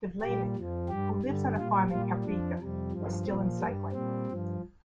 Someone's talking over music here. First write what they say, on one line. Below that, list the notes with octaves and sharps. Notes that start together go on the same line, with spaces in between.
De Vlaeminck, who lives on a farm in Kaprijke, is still in cycling.
A#2 G3 G4
F2 F3
G2 G3 G4
G2 D3 G3
A#2 G3 F4
A#2 G3 F4
F2 F3 D4
F2 C3 G3
G2 F3
A#2 F3 C4
G2 G3 A#3
A#2 G3 C4
G2 F3